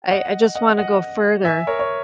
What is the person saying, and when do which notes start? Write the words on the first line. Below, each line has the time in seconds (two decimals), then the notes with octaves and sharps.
I I just wanna go further.
0.11 D#5 F#5
0.55 D#5 F#5
0.78 D#5 F#5
1.45 E5 G#5
1.67 A#4 C#5
1.79 C#5